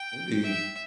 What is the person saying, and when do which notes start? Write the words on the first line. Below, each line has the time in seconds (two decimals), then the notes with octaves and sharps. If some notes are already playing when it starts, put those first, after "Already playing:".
It'd be
Already playing: G5
0.43 E5